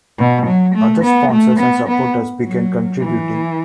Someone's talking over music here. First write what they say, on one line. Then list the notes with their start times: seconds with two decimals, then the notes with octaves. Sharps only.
Other sponsors and supporters began contributing.
0.19 B2
0.46 F#3
0.75 A3
1.04 B3
1.32 A3
1.60 B3
1.88 B3
2.45 F#3
3.01 E3